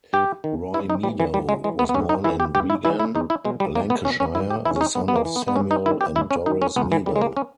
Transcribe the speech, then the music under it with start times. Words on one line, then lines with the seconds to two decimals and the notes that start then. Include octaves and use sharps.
Roy Meadow was born in Wigan, Lancashire, the son of Samuel and Doris Meadow.
0.13 G2 G4
0.44 D#3
0.74 G2 E4
0.90 D#4
1.03 E3 G3
1.20 E3
1.34 G2 G3
1.49 G#3
1.64 E3 G#3
1.79 B3
1.89 B3
1.94 G2 C#4
2.09 D#4
2.24 E3 E4
2.40 G4
2.55 G2 G4
2.70 E4
2.85 E3 E4
3.00 E4
3.15 E2 D#4
3.30 E4
3.45 B2 G#3
3.60 G3
3.75 E2 A#3
3.90 B3
4.05 B2 C#4
4.20 C#4
4.35 G2 E4
4.50 G4
4.65 E3 E4
4.76 C#4
4.81 D#4
4.95 G2 B3
5.08 B3
5.16 A#3
5.25 E3
5.36 B3
5.48 B3
5.56 G2 C#4
5.71 D#4
5.86 D#3 E4
6.01 G4
6.15 G2 E4
6.31 C#4
6.46 D#3 D#4
6.62 C#4
6.76 C#2 B3
6.92 E3
7.06 E3 G3
7.09 C#3
7.16 G#3
7.21 A#3
7.37 C#4